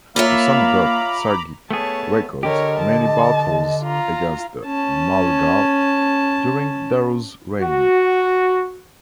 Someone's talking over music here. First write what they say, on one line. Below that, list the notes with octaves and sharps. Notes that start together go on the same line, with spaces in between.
The Samguk Sagi records many battles against the "Malgal" during Daru's reign.
A#3 F4 C#5 E5 F5 A#5 B5 D6
A3 B3 G#4 C#5 A5
D3 G4 A#4 C#5 D#5
A5
F4 A#5
C#4 A5
F#4